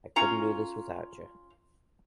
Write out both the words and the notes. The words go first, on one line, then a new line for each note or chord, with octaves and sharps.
I couldn't do this without you.
C#4 F4 A#5